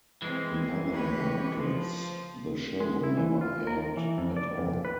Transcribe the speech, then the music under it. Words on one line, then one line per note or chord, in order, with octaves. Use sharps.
In other markets the show never aired at all.
E3 G#3 C4
G4 B4 C#5
F3
G#3
E4
E3
F4
A#4
E3
F2
D5
F2
B4